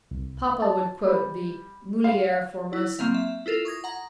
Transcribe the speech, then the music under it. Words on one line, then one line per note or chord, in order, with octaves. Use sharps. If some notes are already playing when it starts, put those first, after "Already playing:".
"Papa would quote the 'mulier formosa'".
C2
A5
G3
F5
E4
F#3 A#3 C4 F5
E5
E4 F4 A4 A#4
C#6 D#6 G#6 A#6
F#5 A#5 A#6